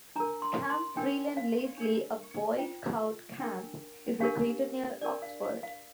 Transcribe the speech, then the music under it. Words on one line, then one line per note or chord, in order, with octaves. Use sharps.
Camp Freeland Leslie, a Boy Scout camp, is located near Oxford.
D4 A#4 A#5
C6
C6
D4 A#4 G5
F5
D4 A#4
F4 C5 G5
D4 A#4 G5
D4 G4 A#4 F5
D4 A#4 D5
F5
F5
F5